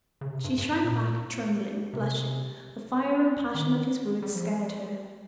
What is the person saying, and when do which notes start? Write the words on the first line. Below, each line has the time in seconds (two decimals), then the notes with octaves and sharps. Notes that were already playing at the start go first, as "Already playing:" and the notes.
She shrank back, trembling, blushing; the fire and passion of his words scared her.
0.21 C#3
0.30 C3
0.44 G2
0.58 G2
0.84 A#2
1.93 C3
3.54 D#3
4.22 G3
4.35 F3
4.49 G3